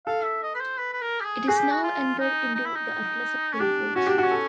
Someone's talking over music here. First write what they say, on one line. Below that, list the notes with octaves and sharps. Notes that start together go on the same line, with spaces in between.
It is now entered into the Atlas of Hillforts.
A4 F5
E5
D#5
B4
C5
B4
B4
A#4
G4
G#4
F#4 G#4
G4
F#4
F4
D#4
D#4
E4
D#4
C#4
D4 G4
C#4 F#4
D4 G4
F#4
C#4
A4